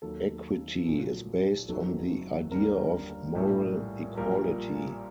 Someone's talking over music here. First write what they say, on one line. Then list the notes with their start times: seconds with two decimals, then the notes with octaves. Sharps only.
Equity is based on the idea of moral equality.
0.02 D#2 D#3 F#3 A4
0.86 A#1 A#2 F#3
1.68 F#1 F#2 D#3 F#3 A4
2.51 D#2 D3 G3 A#4
3.35 A#1 A2 G3
4.17 A#1 A#2 G3 A#4